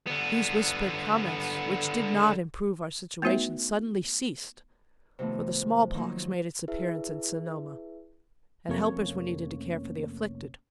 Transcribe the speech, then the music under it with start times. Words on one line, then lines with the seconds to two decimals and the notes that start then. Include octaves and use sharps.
These whispered comments, which did not improve our situation, suddenly ceased, for the smallpox made its appearance in Sonoma, and helpers were needed to care for the afflicted.
0.07 D3 B3
3.22 A3 B3 D#4 F#4 B4 E5
5.19 C3 D#3 F3 A3 B3
5.94 D#3 F3 F#3 A#3
6.68 E4 G#4 B4 E5
8.69 F2 C3 A3 A#3 C#4 C#5